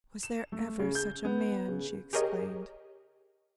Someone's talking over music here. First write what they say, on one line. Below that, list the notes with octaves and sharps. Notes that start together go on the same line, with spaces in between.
"Was there ever such a man!" she exclaimed.
E7
A3
C#3
G6
B3
C#3
G4 G#4 A#4 C#5 D#5